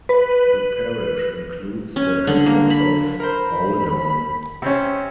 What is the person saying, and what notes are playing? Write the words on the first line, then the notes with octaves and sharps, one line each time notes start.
The parish includes the hamlet of Bowldown.
B4
C#4
D3
A#3
B5
A#4 C5 B5
C3 C4 C#4